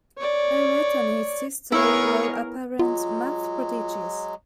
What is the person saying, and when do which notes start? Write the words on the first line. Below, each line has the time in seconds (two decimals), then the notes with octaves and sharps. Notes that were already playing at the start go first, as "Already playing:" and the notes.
Errett and his sister were apparent math prodigies.
0.18 C#5 D5
1.72 B3 E4 G#4 A#4 C#5
2.79 F#3 G#3 F4